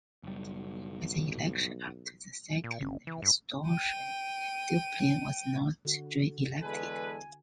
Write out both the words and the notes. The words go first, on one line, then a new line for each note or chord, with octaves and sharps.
At the election after the second restoration Dupin was not reelected.
F#1 B1 G3
A#2
G1
E3
G2
G5 D#7
D3 F#4
E2 G#3 A4 B4 G#5